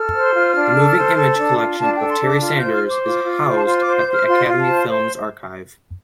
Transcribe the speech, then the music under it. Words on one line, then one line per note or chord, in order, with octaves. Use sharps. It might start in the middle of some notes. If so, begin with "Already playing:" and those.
The moving image collection of Terry Sanders is housed at the Academy Film Archive.
Already playing: A4 F6
C5
F4
D4
A4
C5
A4
D4
F4
D4 A5
G5
A4
C6
D4
D6
F4
F6
G6
C5
F6
C5 D6
F4 D6
F4
C5
A5
F4 C6
D6
C5
G6
C5 F6
F4 C6
F4
A5
C5
C5